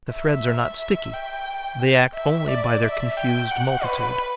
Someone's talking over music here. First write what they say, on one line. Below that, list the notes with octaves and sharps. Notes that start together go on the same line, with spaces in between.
The threads are not sticky; they act only by their confused multitude.
E5
G5
E5
D5
E5
G5
F#5
B4